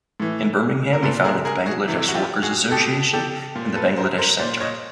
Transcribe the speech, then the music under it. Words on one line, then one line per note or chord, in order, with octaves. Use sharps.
In Birmingham he founded the Bangladesh Workers’ Association and the Bangladesh Centre.
A2 E3
A#4
A#2 A4 B4
G#4 A#4
G#4 A#4
F#4 G#4
C3 E3
F#4
F4 G4
F#4 G#4
B2 G4 A4
G4 A4
A#2
A4 B4
A#4 C5
A#4 C5
A#2 C5 D5
C#5 D#5